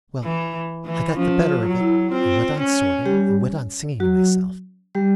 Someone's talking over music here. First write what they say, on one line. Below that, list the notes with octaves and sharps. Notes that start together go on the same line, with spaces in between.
Well; I got the better of it, and went on sorting, and went on singing to myself.
E3
E3
F3 C#4
F4
F#3
E4
C4 F4
C#4
G3 G4
F#3 F#4
G3 G4